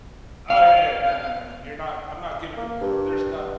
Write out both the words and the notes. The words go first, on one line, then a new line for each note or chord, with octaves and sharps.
Oh, yeah, yeah. No, no, no, and you're not I'm not giving the uh, there's no
F5
A#3
G2